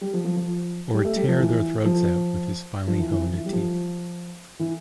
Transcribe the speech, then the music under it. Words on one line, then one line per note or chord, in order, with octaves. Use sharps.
Or tear their throats out with his finely honed teeth.
G3
F3
F3
F3
G3
A3
G3
F3
E3
F3
F3
E3
E3
F3
E3
G3
F3
E3